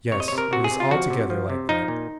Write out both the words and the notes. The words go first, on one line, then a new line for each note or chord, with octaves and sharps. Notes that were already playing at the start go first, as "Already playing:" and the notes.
Yes, he was altogether like that.
C3 C#5
D#5
C#5
C3
A#4
C3 F#4
G#4
C3
F4
F3 F#4
C3
F3
C3
F3 D#4
A#2